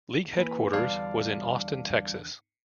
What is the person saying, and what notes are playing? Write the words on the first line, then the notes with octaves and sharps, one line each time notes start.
League headquarters was in Austin, Texas.
E3 A#3 B4
E2 D3 G3 D5 F5 A5